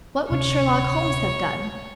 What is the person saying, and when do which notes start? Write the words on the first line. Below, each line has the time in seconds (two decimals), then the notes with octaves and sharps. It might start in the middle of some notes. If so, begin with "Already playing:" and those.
What would Sherlock Holmes have done?
0.30 D1 C3 C#4 C#5